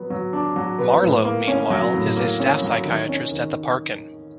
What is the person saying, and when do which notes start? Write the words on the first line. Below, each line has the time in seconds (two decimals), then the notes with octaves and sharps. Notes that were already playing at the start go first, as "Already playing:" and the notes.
Marlow, meanwhile, is a staff psychiatrist at the Parkin.
Already playing: F#3 B3
0.10 F#3
0.33 D4
0.56 F#3
0.79 B3
1.02 A2
1.25 A#3
1.48 C#4
1.70 F#3
1.94 A2
2.17 A#3
2.40 C#4
2.62 F#3
2.86 D#3
3.09 C#4
3.32 D#3